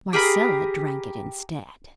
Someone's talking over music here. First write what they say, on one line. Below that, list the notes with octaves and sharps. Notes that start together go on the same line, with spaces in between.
Marcella drank it instead.
G4 G#4 A#4 B5